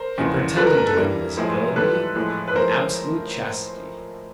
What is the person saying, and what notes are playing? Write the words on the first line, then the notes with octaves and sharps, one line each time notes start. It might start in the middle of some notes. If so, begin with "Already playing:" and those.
He pretended to invisibility and absolute chastity.
Already playing: A#4 C5
E2 C#3 F3 G#3
B2 G3 A4 B4
A#4
A#4
A4
G2 E3 G3 A#4
A2 F3 G#3
G#2 E3 G3 A4 B4
A2 F3 G#3
B4
A2 F3 G#3 A#4 C5